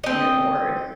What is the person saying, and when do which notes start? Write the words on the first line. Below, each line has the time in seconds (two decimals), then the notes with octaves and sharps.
in written word.
0.04 C4 D#5